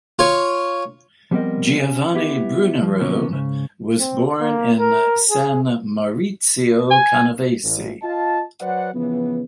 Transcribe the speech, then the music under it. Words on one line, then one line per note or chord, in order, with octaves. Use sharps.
Giovanni Brunero was born in San Maurizio Canavese.
F4 C#5
F3 G3 B3 C4 A#4 D#5
C#4
B3 E4 G4
F3
B2 D3 F3 A#3 B3 C#4
G#2 C#3
C4
A#3
A#4
G#4
G#5
A1
F4 D#5 A5
F#3 B4 C5 D5 F#5
C#3 E3 F3 B3